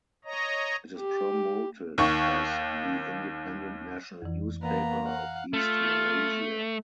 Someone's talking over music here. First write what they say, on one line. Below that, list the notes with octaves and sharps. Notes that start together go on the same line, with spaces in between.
It is promoted as the "Independent National Newspaper of East Malaysia".
C#5 D#5 A#5
G4
D#2 D#3 C#6
F2 E3
E3 A#3 B3 A#5
F5 F#5
A3 F4